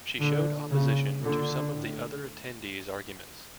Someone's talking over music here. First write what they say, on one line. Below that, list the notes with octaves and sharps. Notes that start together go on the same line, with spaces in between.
She showed opposition to some of the other attendees' arguments.
A#2 D3
A#2 C#3
A#2 D3
A2